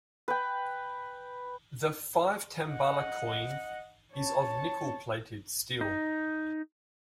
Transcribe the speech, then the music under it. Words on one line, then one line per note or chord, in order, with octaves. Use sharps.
The five tambala coin is of nickel-plated steel.
B4 G5
D#5 F#5
C#5 A5
D#4